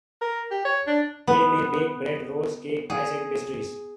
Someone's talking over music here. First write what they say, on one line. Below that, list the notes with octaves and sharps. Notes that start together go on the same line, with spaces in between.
They may bake bread, rolls, cakes, pies, and pastries.
A#4
G4
C#5
D4
B3
G#4